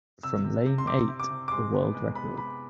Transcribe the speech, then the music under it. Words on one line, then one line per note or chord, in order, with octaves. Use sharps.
From lane eight, a world record.
C3 E6
C3
C3
C6
C3 D6
C3
D6
C3
D6
G#3 C6
B3
G#3
B3 B5
G#3 B5